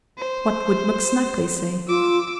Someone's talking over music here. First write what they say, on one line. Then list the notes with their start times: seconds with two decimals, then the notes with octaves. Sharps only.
What would McSnagley say?
0.18 C5
1.88 F4 D6 E6